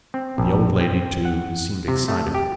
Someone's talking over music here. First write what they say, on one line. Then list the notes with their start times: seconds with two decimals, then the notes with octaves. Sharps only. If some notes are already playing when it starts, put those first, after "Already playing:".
The old lady, too, seemed excited.
0.14 C4
0.38 A#1
0.81 C4
1.25 F#5
1.88 C3
2.08 A3
2.35 G4